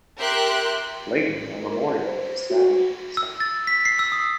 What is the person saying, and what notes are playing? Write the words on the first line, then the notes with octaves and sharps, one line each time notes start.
Later, a memorial was established on the site.
G4 A#4 E5 G5 C6 F#6
A1
A#4
C5
F#4
E6
A6
B6
C7
E6
D#6